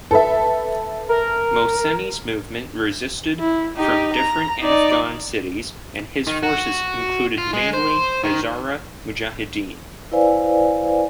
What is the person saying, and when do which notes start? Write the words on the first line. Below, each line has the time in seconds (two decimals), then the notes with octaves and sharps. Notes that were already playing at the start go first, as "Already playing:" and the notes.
Mohseni's movement resisted from different Afghan cities and his forces included mainly Hazara Mujahideen.
0.11 A4 B4 E5
1.09 A#4
3.39 E4
3.76 D#4 G4
4.13 A#5
4.60 D#4 D5
6.27 D#3
6.43 F#4
7.38 F4
7.54 G#3
7.74 C5
8.24 D#3
10.12 E4 B4 C5 D5 F5 G#5